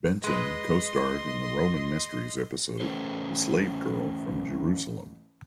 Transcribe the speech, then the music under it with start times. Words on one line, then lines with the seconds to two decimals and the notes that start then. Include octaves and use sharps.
Benton co-starred in the Roman Mysteries episode "The Slave Girl from Jerusalem".
0.24 G#3 B4 D#5 C6
2.80 E3 A3 C#4 A4 C5